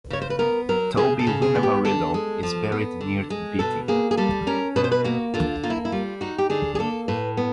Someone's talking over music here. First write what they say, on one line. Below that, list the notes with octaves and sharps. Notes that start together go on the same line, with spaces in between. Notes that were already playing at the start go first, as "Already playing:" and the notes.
Toby "Winema" Riddle is buried near Beatty.
C#3 C#5
C5
B4
B3 A#4
F#3 A#4
C#3 G#4
A4
C#3
G#4
B3
G4
D3 A4
G#3
F3
B3
D3
G#3
B2 A4
A#3 G#4
G#4
G3 A4
C#4 A#4
B2 B4
C5
B4
A#3 F#4
D3 F4
A#3 F4
E4
E4
G3 F4
D#4 F#4
G4
D3 G#4
G#4
A#3 A4
A2 B4
B3